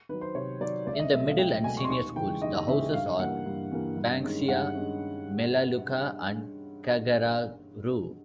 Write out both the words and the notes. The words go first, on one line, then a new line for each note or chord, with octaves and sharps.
In the Middle and Senior schools, the houses are Banksia, Melaleuca and Karragaroo.
D#3 F#3 B4
C5
C3 C#5
D#3 F#3 D5
C#2 D5
E5
D#5
B2 F#3 A3 E5
F5
C#2 G5
B2 F#3 A3 G#5
C#6
C6
D#2 C#6
C#3 E3 G#3 G5
D#2 D#5
C#3 E3 G#3 E5
G2 F5
E3 G3 A#3 F#5
G2
E3 G3 A#3
G2
D#3 G#3 C#4
G2 F#5
D#3 G#3 C#4